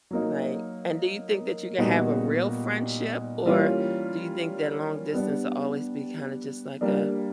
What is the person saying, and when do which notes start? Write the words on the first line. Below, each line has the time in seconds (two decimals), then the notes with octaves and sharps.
Right, and do you think that you can have a real friendship, or do you think that long distance will always be kind of just like a,
0.11 F#3 A#3 D#4
1.78 A#2 G3 B3 D#4 F#4
3.46 E3 G3 A#3 C#4 F4
5.13 G3 B3 D4
6.81 G3 A#3 D4